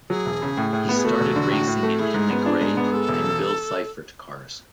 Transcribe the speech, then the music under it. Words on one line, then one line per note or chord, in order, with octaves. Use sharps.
He started racing in Henley Gray and Bill Seifert cars.
F#3 G#4
E1
C#3
A2
A2
B3
G#4
A3 F#4
E1
D3
A2
A2
A3
E4 G#4
G#2
B3
D4
G#2
B3
G#3 A4
E1